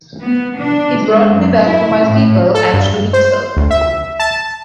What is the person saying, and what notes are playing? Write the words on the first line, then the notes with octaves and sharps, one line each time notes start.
He brought me back to my people and to himself.
B3
D4
G#3
F#2
E4
A2
A4
G2
C5
D2
E5
A5